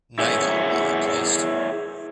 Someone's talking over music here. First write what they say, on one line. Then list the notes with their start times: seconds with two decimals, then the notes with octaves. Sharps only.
Neither were replaced.
0.19 E4 G#4 C#5